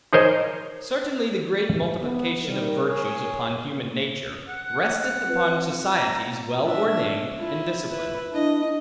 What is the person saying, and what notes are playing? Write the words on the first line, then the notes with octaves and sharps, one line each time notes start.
Certainly the great multiplication of virtues upon human nature, resteth upon societies well ordained and disciplined.
D#4 G#4 A#4 C5 C#5 D#5
B3
D#3 G3 A#4
G#4 C#5
F#5
C4 F4 B4
A#5
D4 E5
E4 F4
E4 B4
D4 E4 D#5